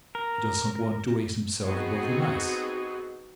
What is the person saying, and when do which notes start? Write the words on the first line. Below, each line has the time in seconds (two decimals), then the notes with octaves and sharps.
He does not want to raise himself above the mass.
0.15 A#4
1.64 B3 C4 D#4 F#4 G#4